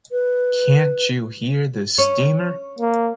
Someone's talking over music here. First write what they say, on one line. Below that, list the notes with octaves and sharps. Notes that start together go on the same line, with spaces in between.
Can’t You Hear the Steamer?
B4
C#4
A#3